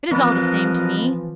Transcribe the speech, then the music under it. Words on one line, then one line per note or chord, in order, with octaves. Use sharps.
It is all the same to me.
E3 F3 C4 A#4 B4 D#5 B5 A6